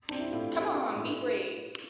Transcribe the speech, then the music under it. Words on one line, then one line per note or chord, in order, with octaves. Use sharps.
Come on, be brave!
C4 D4
E4
A2 F4
G4
C4 A4
F4
A2